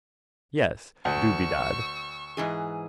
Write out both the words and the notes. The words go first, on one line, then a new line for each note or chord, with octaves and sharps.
Yes, do bedad.
D2 C#6 E6
G#2 E3 G#4